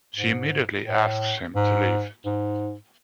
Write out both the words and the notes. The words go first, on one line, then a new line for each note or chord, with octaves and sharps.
She immediately asks him to leave.
G#2
A2
G#2
G#2